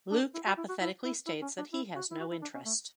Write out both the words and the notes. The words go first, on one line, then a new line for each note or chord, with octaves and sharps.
Luke apathetically states that he has no interest.
D4
E4
F#4
E4
F#4
E4
E4
E4
C#4
D4
E4
F#4
E4
F#4
E4
D4
C#4
A3